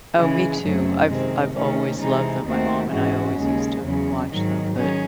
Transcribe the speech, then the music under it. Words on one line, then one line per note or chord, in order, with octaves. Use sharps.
Oh, me too. I've I've always loved them, my mom and I always used to watch them, but
C#3 E3 G#3
F#2 C#3 F#3 A3 C4
C3 D#3 G#3 C4
C3 D#3 A3 C#4
C3 E3 G#3 D#4
D#2 D#3 A3 C4 F#4
G#2 E3 G#3 C#4 F#4
D#2 C#3 G#3
E2 C#3 F#3
G#2 D#3 F#3
D#3 F#3 C#4 G#4